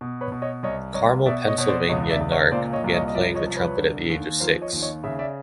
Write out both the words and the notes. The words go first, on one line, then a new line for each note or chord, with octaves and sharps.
Carmel, Pennsylvania, Nark began playing the trumpet at the age of six.
B2
B4 C#5
B2
C#5 D#5
C2 C#5 D#5
C2 C#5 D#5
B2 D5 E5
C#5 D#5
B2 C#5
C5 D5
C#2 C#5 D#5
D5 E5
C#2
C#5 D#5
A#2 C5 D5
C#5 D#5
C2
C#5 D#5
D#5
F3 D5 E5
C#5 D#5
C2
B4 C#5
D3
D#2
F3 A#4 C5
C#5 D#5
D#2
C#5 D#5
C#3 E5
D5 E5